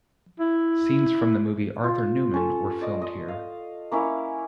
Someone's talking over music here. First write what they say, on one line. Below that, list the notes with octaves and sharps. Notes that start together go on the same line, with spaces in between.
Scenes from the movie "Arthur Newman" were filmed here.
E4
F4
C#4 A4
D5 D#5
D#5
F5
A#3 C#4 E4 F5